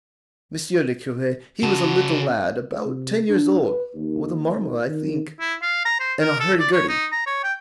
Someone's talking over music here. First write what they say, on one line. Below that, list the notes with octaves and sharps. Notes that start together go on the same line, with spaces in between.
Monsieur le Cure, he was a little lad, about ten years old, with a marmot, I think, and a hurdy-gurdy.
C#3 F#4 A5
C3
D4
B4
D#2
G#1
D#3
E4
F5
A#5
C5
A#4
A4
D5
C#5
D#4
A#5
C#5
G5